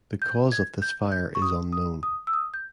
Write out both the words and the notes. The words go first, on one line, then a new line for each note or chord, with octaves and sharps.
The cause of this fire is unknown.
G6
G#6
G6
G6
C#6
D#6
D#6
D#6
E6
D#6
G6